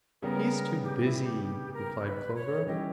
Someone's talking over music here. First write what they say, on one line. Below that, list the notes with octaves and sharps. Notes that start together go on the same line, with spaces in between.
"He's too busy," replied Clover.
C#3 G3 B3 A#4
G4
E4
G4
G4
A#4
B4
C#5
E3 G3 C#4 E4 G4 D#5